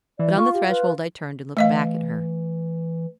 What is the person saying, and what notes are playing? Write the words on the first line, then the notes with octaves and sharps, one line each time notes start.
But on the threshold I turned and looked back at her.
E3 D5
F4 C#6
G4
B4
E3 A3 D#5 F5